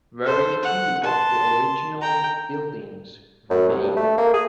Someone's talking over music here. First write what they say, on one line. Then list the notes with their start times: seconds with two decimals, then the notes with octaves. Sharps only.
Very few of the original buildings remain.
0.24 A4 C5
0.63 F#5
1.04 A5 C6
2.01 G5 A#5
3.50 F#2
3.69 C2
3.83 G2
3.97 A3
4.18 A#3
4.34 G#4